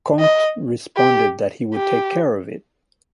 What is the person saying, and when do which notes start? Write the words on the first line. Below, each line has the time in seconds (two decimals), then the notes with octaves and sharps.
Conte responded that he would take care of it.
0.20 D#5
0.97 G4
1.74 G4